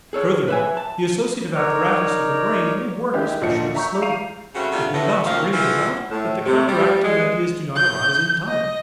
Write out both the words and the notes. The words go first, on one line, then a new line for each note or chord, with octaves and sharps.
Furthermore the associative apparatus of the brain may work especially slowly; it may thus bring it about that the counteracting ideas do not arise in time.
G#4 A4 C#5
B4 E5 G#5
A5
D#4 A#4 C#5 D5
D#3 G#3 D#4 E4 G4 G#4
D2 A#2 F3 D#5 A5 C#7
E5 A#5 C#6 G6
F5 A#5 C7 D#7 F7
C#3 G3 A3 C4 F#4
C3 G3 A3 C#4 D4 F4
A2 B3
F#2 D#3 F3 A#3 C#5 F5
E3 F3 G#3 F4 F#4
A2
C3
G3
G#3
G6
D#5